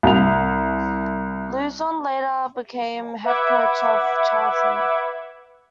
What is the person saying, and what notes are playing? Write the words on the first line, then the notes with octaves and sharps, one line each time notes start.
Luzon later became head coach of Charlton.
C2 F7
B4 E5 F#5 B5 D6 G#6